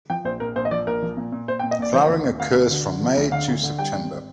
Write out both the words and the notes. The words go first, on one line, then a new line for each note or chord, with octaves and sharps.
Flowering occurs from May to September.
F3 G5
A#1 C5
A#1 A#4
A#1 C5
D#5
F3 D5
A#1 A#4
F3
A#2
A#2
A#2 C5
G5
A#2
D#5
A#1 D5
F3 C5
D2
D2
D2 F5
D2
D3
D3
F3
D2
D3 F5
D2
D3
G3 G5
G#1